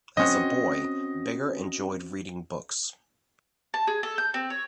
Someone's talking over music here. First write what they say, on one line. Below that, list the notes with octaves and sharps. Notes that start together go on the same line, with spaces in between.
As a boy, Bigger enjoyed reading books.
C4 C#4 F#4 D#5
A5
G#4
A4
G6
C4
C#5